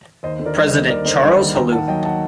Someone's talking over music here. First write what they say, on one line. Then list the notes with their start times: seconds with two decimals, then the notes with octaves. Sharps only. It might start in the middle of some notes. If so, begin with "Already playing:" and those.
President Charles Helou.
0.23 D#2 C5 D#5
0.39 D3
0.46 A#4 D5
0.57 G3
0.67 C5 D#5
0.73 D#2
0.89 D#2 A#4 D5
1.05 D3 C5 D#5
1.22 G3 D5 F#5
1.39 D#2
1.55 D#2 G5 A#5
1.71 D#3 F#5 A5
1.88 F#3 D#5 G5
2.05 F#5 A5